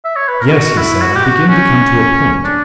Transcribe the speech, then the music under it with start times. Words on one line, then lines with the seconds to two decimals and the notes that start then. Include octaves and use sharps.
'Yes,' he said, 'I begin to come to a point.
0.05 E5
0.16 C#5
0.28 B4
0.41 A#4
0.53 F#4
0.77 E4
1.01 F#4
1.16 G4
1.25 F#4
1.49 C#4
2.44 D4